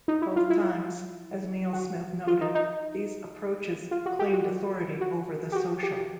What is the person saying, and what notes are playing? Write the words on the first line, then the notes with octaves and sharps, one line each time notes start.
Both times, as Neil Smith noted, these approaches "claimed authority over the 'social'".
D#4
E4
F4
E4
F#4
F4
D#4
D#4
F4
F#4
G4
F#4
F#4
G4
F#4
G4